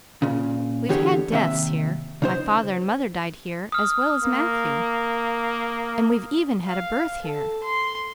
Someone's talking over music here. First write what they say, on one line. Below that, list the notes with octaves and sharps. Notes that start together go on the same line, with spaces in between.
We've had deaths here--my father and mother died here as well as Matthew; and we've even had a birth here.
A#2 C#3
E2 D3 G4 G#4 C#5
D#2 C3 E5
C#3 D#4 C5
D#6 F6
A#3
F5
A4
C6